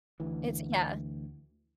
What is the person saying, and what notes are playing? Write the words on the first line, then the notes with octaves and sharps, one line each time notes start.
It's yeah.
D2 E3